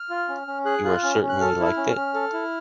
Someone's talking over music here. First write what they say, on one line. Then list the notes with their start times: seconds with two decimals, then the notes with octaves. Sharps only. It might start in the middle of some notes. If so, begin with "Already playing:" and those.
You are certain we liked it.
Already playing: F6
0.10 F4
0.29 C#4
0.47 C#4
0.65 G#4 F#6
0.84 F4 F#6
1.03 C#4 F6
1.22 C#4
1.29 F#6
1.40 A4 F6
1.59 E4
1.65 F6
1.77 C#4
1.89 F6
1.96 C#4
2.15 A4
2.33 E4